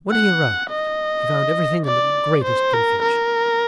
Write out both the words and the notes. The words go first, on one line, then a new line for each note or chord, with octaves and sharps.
When he arrived, he found everything in the greatest confusion.
F#5
D#5
D5
C5
A#4
A#4